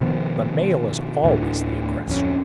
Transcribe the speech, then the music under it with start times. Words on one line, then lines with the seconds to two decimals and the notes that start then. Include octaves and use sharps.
The male is always the aggressor.
0.01 B2 D#3 F3 B3
1.24 D2 A2 D3 E3
2.08 D1 F2 C#4